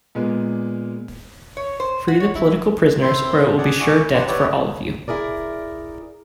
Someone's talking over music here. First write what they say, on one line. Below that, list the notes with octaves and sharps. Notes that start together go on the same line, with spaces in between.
Free the political prisoners or it will be sure death for all of you.
A#2 G#3 A#3 B3
C#5
C5
F#4
C#5
E4
C4 E4 C5 C6
G#4 D5 F#5
E4 G#5 C#6 D6
D4 G4 B4 F#5 C6
E4 G4 B4 C#5 D5
E4 G#4 A#4 D5